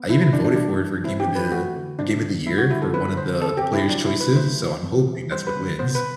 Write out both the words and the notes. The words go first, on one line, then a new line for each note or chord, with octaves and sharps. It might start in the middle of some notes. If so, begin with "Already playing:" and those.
I even voted for it for Game of the for Game of the Year for one of the the Player's Choices, so I'm hoping that's what wins.
Already playing: B3
E3 E4
E4
E3 D4
D4
G3 D4
E3
C4 E4
G4
E3
B4
A3 F#4
D3
C4 D4
D3
G3 E4
F#4
D3 E4
A4
B3 B4
D3 C5
C4 A4
G4
C4
E4
F#3 D4
E4
F#3
B4
A3 C5
E3
C4
E3
G3 C5
B4
D3
B3 C5
B4